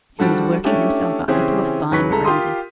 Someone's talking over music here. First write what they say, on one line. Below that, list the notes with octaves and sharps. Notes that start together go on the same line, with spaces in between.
He was working himself up into a fine frenzy.
F3 G3 D4 F#4 A4
A3 C#4 D4 E4 G4
C#3 E3 C4 C#4 G4 G#4
E2 C#3 F#3 B4 C#6 B6
C2 G#3 A4 A#5
F4 G4 A#4 C6 D#6